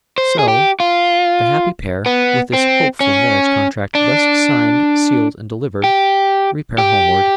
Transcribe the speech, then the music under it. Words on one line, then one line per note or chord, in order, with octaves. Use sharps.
So, the happy pair, with this hopeful marriage contract thus signed, sealed, and delivered, repair homeward.
C5
G#4
G4
F4
B3
C4
C#4
D4
G4
G4